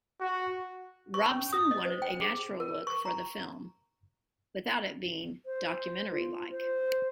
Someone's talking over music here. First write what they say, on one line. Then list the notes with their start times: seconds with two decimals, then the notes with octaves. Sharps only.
Robson wanted a natural look for the film, without it being documentary-like.
0.20 F#4
1.14 C#6
1.31 C#4
1.53 D#6
1.71 D#5
1.85 C5
2.02 G5
2.21 G#4
2.60 A#4
2.87 C#6
3.05 A#5
5.46 C5
6.12 F4
6.50 C5